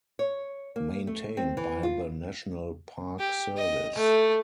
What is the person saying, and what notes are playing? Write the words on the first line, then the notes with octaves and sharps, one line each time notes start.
Maintained by the National Park Service.
C#5
A#3
A3
C4
E3
F4
G4
D#5
A3